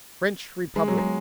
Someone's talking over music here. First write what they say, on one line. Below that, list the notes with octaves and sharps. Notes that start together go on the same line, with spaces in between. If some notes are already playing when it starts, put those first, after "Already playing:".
"French Republic."
G#3
F#3
G#3